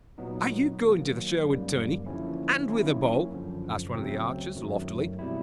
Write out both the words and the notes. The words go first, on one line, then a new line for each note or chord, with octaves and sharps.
"Are you going to the Sherwood tourney, and with a bow?" asked one of the archers, loftily.
A#2 F#3 B3 D#4
D#3 F#3 A#3
F#2 D#3 G3 A#3
D3 F3 A#3 C#4 E4
D#3 F#3 A#3 C#4 E4
F#2 D3 F3
D2 C#3 F#3 A3 C4
F#2 D#3 F#3 A3
B2 G3 C4 E4